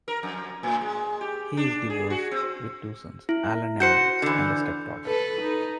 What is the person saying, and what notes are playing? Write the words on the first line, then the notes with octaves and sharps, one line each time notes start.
He is divorced, with two sons: Alan and Max, and a stepdaughter.
A#4
F2
A2
G#3
G4
D4
G#4
F#4
C4
E4
F#4 C5 G6 C#7
D3 E3
A4 B4
D#4